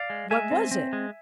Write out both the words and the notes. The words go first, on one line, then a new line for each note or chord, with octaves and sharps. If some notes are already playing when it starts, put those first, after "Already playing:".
What was it?
Already playing: D5 F5
G#3
G#3 E5 G#5
C4
C4
G#3